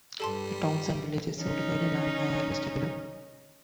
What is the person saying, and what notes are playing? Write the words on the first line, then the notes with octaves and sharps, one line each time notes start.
The towns and villages served by the line are listed below.
G2 G3 A4 A5 C6
C#4 D#4